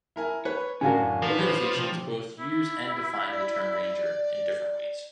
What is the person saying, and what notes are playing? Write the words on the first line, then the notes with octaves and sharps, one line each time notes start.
Organizations both use and define the term "Ranger" in different ways.
E4 A#4 G#5
B4 C#5
A2 D3 C#4 F#4 A#4 F5 G#5
F#2
F3 A#4 B4 D6
C3
E4
D5